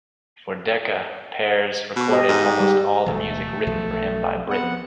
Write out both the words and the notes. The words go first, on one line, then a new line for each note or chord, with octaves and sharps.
For Decca, Pears recorded almost all the music written for him by Britten.
B2
G4 D#5
G#2
G3 G4
D1 B2 E3 A3
B1 B2 F3
B3 C4 F#5